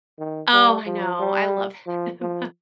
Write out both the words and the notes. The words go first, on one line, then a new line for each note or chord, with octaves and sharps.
Oh, I know. I love him.
D#3
G3
F3
G3
F3
F3